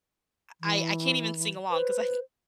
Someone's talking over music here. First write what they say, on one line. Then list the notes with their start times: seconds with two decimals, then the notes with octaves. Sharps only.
I I I can't even sing along 'cause I I
0.61 E3
1.71 B4 C5